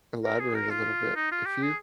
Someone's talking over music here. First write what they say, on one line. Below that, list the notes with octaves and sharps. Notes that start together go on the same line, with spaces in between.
elaborate a little bit. If you
A#4
G#4
A#4
F4
D#4
F4
G4
G#4